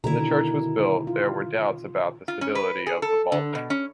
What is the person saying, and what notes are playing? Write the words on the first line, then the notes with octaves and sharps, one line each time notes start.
When the church was built, there were doubts about the stability of the vaulting.
B2 D3 D#3 E4 A#5
F4
F4
C#4
B4
G#4
A4
D3
B2
C#4